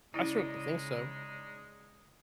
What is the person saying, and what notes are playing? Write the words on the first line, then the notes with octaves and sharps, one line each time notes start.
I certainly think so.
C#3 G#3 C#4 D#4 E4 D5 D#5